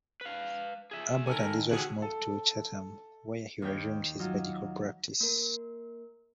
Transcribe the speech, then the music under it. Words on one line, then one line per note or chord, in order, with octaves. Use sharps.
Abbott and his wife moved to Chatham where he resumed his medical practice.
B4 F5
G#4 E5
D#3 A4 A#4 G#5
A2 D3 F#4 G#4
A4
D#2 D#4 C#5 G5
F#3 D#4 F4
A#3 A#4